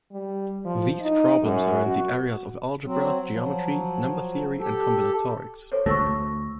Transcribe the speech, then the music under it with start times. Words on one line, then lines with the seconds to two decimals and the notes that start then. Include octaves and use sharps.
These problems are in the areas of algebra, geometry, number theory and combinatorics.
0.12 G3
0.65 F3
1.01 D#4
1.42 F#2
1.87 F#4
2.84 F#3 C4
3.30 F3 F#3
4.58 G4 A4
5.72 A4 C5 C#5
5.86 D2 A3 C#6 E6 A#6